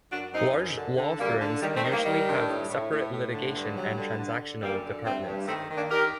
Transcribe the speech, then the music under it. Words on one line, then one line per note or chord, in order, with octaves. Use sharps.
Large law firms usually have separate litigation and transactional departments.
F#2 D4 F#4
F#2 C4 D#4
F#2
D3
D3
F#2 G3 A#3
D3
D#3 G3
A3 C4
D#3
G3 A#3
D#3 G3
G2
A2
A2
A2
A2
D3
G2
G2 F#3
D3
D3
D3
F#2 G3 A#3
D3
G2 A3 C4
G2
D#3 A3 C4
D#3
A#3 D4
D#3 G4 A#4